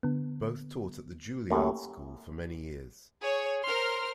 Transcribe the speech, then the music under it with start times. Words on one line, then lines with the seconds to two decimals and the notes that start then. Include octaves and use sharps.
Both taught at the Juilliard School for many years.
0.03 D3 B3
1.51 F#2 A2 A3 A#3 G4
3.22 G#4 C#5
3.64 A#4 C5 C6 F6